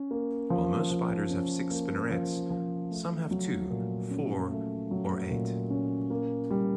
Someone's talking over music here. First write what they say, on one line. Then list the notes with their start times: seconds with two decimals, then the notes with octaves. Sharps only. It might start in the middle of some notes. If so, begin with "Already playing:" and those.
While most spiders have six spinnerets, some have two, four, or eight.
Already playing: C#4
0.11 A#3
0.50 F3
0.91 F3
1.30 C#4
1.70 A#3
2.11 F3
2.50 F3
2.90 A3
3.31 F#3
3.70 A#2
4.10 C#4
4.50 A3
4.91 F#3
5.31 A#2
5.70 C#4
6.10 A#3
6.50 G3